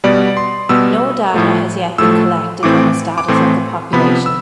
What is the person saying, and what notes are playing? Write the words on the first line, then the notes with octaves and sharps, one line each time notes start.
No data has yet been collected on the status of the population.
B2 G3 B3 D5
C6
B2 G3 B3 E6
A2 F3 A3
A2 F3 A3 E6
A2 E3 A3 C4 D6
D6
A2 E3 A3 C4 C6
C3 F3 B3 B5
E6